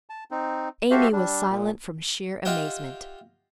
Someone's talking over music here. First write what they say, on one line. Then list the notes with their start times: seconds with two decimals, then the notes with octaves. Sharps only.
Amy was silent from sheer amazement.
0.10 A5
0.31 C4 D#4
0.91 F#4 G4 A4 C5 E5 F5
1.13 G3 D4
1.49 A#2
2.45 F4 G4 D#5 E5 F#5 G5